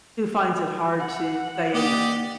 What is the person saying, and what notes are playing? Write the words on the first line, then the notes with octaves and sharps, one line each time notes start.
who finds it hard to say,
F#5
A#3 G4 D5 D#5